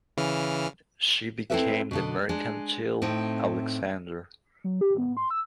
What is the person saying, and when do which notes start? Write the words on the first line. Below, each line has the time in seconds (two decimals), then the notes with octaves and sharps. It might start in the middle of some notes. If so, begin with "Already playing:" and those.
She became the mercantile "Alexander".
0.17 C#3 E3 F6
1.50 C4 E4 G#4 A4 B4 E5
1.91 B2 D3 D#5
2.29 G#3 D4
3.02 A2 C4 D#4
4.64 F#3
4.81 G4
4.98 B3
5.17 C6
5.31 E6